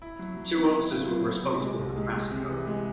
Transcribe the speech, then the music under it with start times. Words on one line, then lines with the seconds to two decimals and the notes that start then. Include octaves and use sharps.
Two officers were responsible for the massacre.
0.02 E4
0.19 F#3
0.37 F#3
0.56 B3
0.73 E4
0.91 C#3
1.08 F#3
1.26 B3
1.43 C3
1.60 G#3
1.79 C2
1.96 G#3
2.14 G#3
2.31 C3
2.49 E3
2.67 G#3